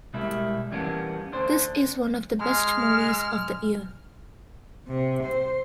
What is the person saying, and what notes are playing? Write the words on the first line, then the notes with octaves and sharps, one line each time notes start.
This is one of the best movies of the year.
B2 G3 G#3 A#3 E4
E3 G3 A#3 B3 C#4 D4
D2 D3 D4 C5
G#3 F6
C3
C5